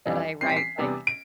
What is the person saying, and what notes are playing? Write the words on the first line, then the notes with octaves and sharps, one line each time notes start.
that I write, like,
F2 E3 G3 D4
E3 G3 C4 C7
B6
C7
E2 C3 G3 B3 D4
D7